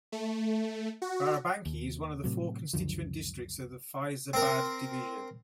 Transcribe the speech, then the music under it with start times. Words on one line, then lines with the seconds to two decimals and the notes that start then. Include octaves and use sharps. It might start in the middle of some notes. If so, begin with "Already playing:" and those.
Barabanki is one of the four constituent districts of Faizabad Division.
0.12 A3
1.02 F#4
1.65 D#2
2.24 A2 C3 F#3
2.73 C#2 F#2 D3 F3
4.33 C4 A#4